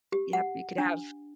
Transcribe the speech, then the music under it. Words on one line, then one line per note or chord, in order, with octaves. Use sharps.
yep, you could have
G4
F#5
D4